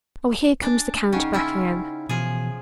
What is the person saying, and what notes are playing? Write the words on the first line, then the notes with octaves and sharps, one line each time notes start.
Oh, here comes the count back again.
D4 G#5
C#3 C#4 D#4 F#5 G5
C#4 E4 F4
B2 E3 F3 G#4